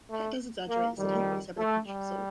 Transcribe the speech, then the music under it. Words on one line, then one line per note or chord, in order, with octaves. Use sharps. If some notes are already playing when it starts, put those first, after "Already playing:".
Pat does exaggerate so take what he said with a pinch of salt.
A3
A#3
F2 D#3 G3
A3
G3